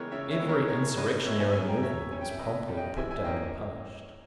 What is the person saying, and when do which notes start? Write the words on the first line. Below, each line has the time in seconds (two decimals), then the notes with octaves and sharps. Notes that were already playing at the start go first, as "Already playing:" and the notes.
Every insurrectionary movement was promptly put down and punished.
Already playing: C#3 E3 G#3 B3 G4 A#4 C#5
0.11 C#3 C#5 E5
0.31 C#5 E5
0.40 E3 G#3 B3
0.49 A#4 C#5
0.68 B2 A#4 C#5
0.97 A#3 C#4 B4 D#5
1.25 B2 C#5 E5
1.40 E5 G#5
1.54 A#3 C#4 E5 G#5
1.68 G5 A#5
1.82 B2 C#5 E5
2.11 G3 C#4 G#5
2.21 G5
2.30 E5
2.39 B2 B4 D#5
2.68 G3 C#4
2.77 D#5 G5
2.97 E3 E5 G#5
3.11 E5 G#5
3.25 A#3 C#4 D#5 G5